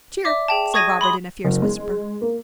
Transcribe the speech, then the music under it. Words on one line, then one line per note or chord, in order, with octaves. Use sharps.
'Cheer,' said Robert in a fierce whisper.
D5 E5 D6
G#4 G5 A5
C#6 D#6 G#6 A#6 D#7
B5 C6 D#6
F#1
G#3
A#3